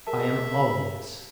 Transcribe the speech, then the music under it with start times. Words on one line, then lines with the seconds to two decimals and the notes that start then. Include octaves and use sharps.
I am of it.
0.07 G#4 A#4 E5 A5